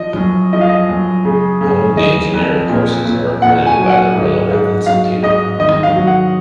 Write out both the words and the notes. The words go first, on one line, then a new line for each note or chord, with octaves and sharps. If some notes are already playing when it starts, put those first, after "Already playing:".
All of the engineering courses are accredited by their relevant institute.
Already playing: F3 D#5
F#2
F3 D#5
F5
D#5
F#2
C#3
C#3
C#3 D#5
F2
A#2
A#2
A#2 F#5
G#5
F#3
F#5
G#2
G#2
F#3 F5
G#2 D#5
D#3 D#5
F5
F#3
F#5